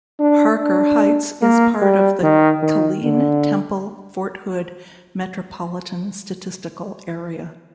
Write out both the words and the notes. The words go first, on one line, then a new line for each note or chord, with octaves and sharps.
Harker Heights is part of the Killeen-Temple-Fort Hood Metropolitan Statistical Area.
D4
D4
A#3
G3
D#3
D#3
D3